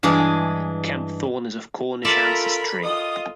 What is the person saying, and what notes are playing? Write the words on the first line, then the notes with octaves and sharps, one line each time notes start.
Kempthorne is of Cornish ancestry.
G2 E3 G#3 D4 G#4
F4 A4 A#4 D5 E5 B5
F4 D#5 D#6